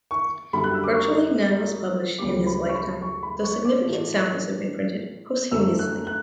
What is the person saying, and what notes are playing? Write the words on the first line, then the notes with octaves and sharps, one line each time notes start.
Virtually none was published in his lifetime, though significant samples have been printed posthumously.
C#6
F#2 D3 G3 B5
F#6
E6
D6
C#6
D2 C#3 G3 D6
B5
C#6
B5
C#6
B5
C#6
D6
A2 E3 A3
F#2 D3 A3 E6
F#6
F#6